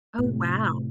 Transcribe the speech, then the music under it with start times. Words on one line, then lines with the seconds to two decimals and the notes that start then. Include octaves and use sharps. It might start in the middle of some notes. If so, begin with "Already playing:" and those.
Oh, wow.
0.19 A2 C3